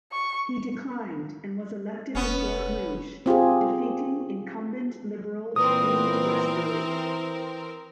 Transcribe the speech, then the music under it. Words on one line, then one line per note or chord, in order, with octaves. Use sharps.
He declined and was elected in Fort Rouge, defeating incumbent Liberal June Westbury.
C#6
F1 B3 C#4 B4
C4 F4 G4 G#4
A#2 E3 B3 C4 A#4 B4 D#6